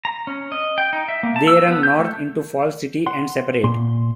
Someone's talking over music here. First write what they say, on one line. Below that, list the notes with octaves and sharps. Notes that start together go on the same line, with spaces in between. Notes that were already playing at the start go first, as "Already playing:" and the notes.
They run north into Falls City and separate.
A#5
C#4
D#5
G5
D#4
E5
A#3
A5
E6
B3
G6
A3
F#5 C6
A#2 C6